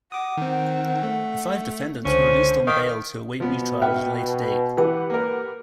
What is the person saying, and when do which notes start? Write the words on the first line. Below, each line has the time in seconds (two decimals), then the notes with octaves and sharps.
The five defendants were released on bail to await retrial at a later date.
0.12 F#5 D6 D#6
0.37 D#3 C4
1.03 A3
2.05 C#2 D3 C#4 C5
2.67 D#3 F5 D6 B6
3.40 B2 F3 B3
3.82 B3 E5 F#5 G5 F6
4.77 E3 G4 B4 F#5
5.10 A#3 A#4